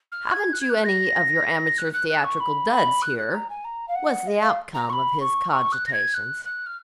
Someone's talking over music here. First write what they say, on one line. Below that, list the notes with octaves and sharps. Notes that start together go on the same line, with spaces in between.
"Haven't you any of your amateur theatrical duds here?" was the outcome of his cogitations.
F6
G#6
F#6
G#6
F#6
A#6
F#6
F#6
F#6
C#6
B5
B5
F#6
F#6
A#5
G#5
A#5
F5
F#5
D#5
F5
A#5
C#6
B5
C#6
C#6
F#6
A#6
G#6
F#6
F#6
F6